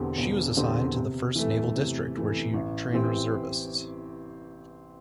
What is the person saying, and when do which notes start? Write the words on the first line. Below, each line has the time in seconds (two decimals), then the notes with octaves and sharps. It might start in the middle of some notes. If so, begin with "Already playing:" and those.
She was assigned to the First Naval District where she trained reservists.
Already playing: E1 E2 D3 C4 G4
0.18 E1
0.57 E2 D3 C4 G4
0.96 C3
1.35 E3 A3
1.75 C3
2.15 E3 A3
2.54 A1
2.93 E3 C4 G4